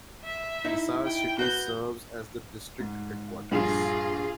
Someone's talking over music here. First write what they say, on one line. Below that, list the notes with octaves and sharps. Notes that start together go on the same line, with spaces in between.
Hisar city serves as the district headquarters.
E5
D#4 E4
G5
F#4 B4 G6
G#2
A#1 G2 F4 G#4